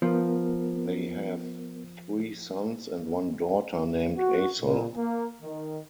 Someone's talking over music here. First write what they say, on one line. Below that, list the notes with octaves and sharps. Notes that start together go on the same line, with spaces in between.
They have three sons and one daughter named Asil.
F3 B3 A#4
F#4
A#2
A#3
D#3